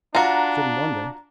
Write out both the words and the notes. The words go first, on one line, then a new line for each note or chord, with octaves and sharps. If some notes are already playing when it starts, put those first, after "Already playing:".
"Shouldn't wonder."
D4 F4 F#4 A#5